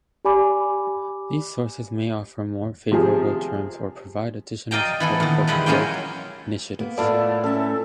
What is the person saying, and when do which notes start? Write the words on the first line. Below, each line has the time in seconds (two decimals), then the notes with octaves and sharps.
These sources may offer more favorable terms or provide additional support for growth initiatives.
0.25 G4 D5 G#5 B5 D6
2.92 C3 F3 G#4
4.71 D5 D#5 F5 G5 A#5
5.00 E3 B3 A4
5.20 A#2 D#3
5.47 E3 F3 G3 G#3 E4
5.66 F#3 G#3 A#3 C#4 G5
6.79 A#3 B3
6.98 A2 E4 F4 A4 D5
7.44 C#4 A4 E5 A5